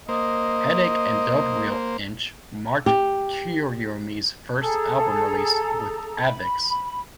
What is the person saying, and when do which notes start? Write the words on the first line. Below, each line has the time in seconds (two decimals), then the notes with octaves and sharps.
"Headache and Dub Reel Inch" marked Kuroyume's first album release with Avex.
0.09 A#3 C5 D#5
2.86 G4
4.60 G#4 A4 A#5
6.20 B5